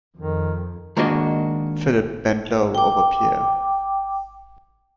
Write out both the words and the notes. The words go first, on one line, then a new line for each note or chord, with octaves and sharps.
Philip bent low over Pierre.
F2 D#3
D#3 G#3 A#3 D4 F#4 D#5
G5 D6